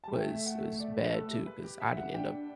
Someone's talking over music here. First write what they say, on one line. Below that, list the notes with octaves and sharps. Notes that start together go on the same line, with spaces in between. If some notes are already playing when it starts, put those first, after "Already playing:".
Was was bad too 'cause I didn't end up
G3 A5
A3 G5
E5
F#5
E5
D5
B4
A4
G4
B4
G4
E5
F#5
D4 G5